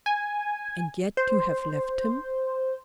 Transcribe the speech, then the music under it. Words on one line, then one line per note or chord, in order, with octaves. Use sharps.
"And yet you have left him?"
G#5
C5